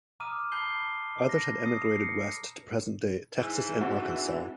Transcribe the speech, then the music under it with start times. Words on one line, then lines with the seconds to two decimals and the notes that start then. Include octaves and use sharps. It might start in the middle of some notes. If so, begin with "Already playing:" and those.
Others had emigrated west to present-day Texas and Arkansas.
0.20 A#5 D6 D#6 F6 D#7
0.52 A5 B5 G6 C7 G7
1.29 A#6
1.63 D#6 C7 D#7
1.81 C7
2.01 C#7
3.37 G#2 E3
3.81 C4 D4 F#4